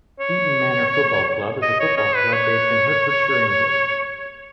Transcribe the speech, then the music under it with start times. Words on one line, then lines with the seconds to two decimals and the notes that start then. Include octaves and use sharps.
Eton Manor Football Club is a football club based in Hertfordshire, England.
0.20 C#5
1.62 D#5
1.80 C#5
1.97 C#5
2.16 B4
2.33 C#5